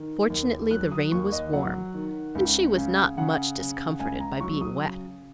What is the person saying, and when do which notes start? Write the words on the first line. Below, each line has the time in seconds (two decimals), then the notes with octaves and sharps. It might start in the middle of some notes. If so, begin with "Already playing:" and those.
Fortunately the rain was warm, and she was not much discomforted by being wet.
Already playing: D#3
0.30 D#2
0.71 F#3 F#6
0.92 D#6
1.12 D#2 C#6
1.32 D#5
1.53 F#3 F#5
1.94 D#3
2.35 C#2
2.76 C#3
3.17 C#3 F#5
3.58 C#3
4.00 C#2 G#5
4.20 A#5
4.40 F#3 C#6
4.61 D#6
4.82 C#3